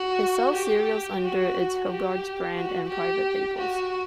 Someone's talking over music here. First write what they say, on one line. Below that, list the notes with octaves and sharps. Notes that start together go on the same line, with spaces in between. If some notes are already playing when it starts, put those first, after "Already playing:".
It sells cereals under its Hubbards brand and private labels.
Already playing: F#4
G4
F#4
G4
F#4
G4
F#4